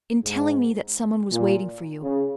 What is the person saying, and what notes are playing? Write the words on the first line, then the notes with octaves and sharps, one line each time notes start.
"In telling me that some one was waiting for you."
G#2
A#2
C#3